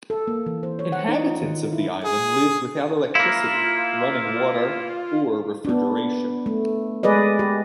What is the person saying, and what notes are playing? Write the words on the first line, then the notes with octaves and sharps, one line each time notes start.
Inhabitants of the island lived without electricity, running water or refrigeration.
A4
A#3
E3
C5
C#5
F#5
D#4
F4
D#3
E4
G#4
A#3 E4 F4
B3 D4
A3
G#3 G#4 B4 D5 D#5
G4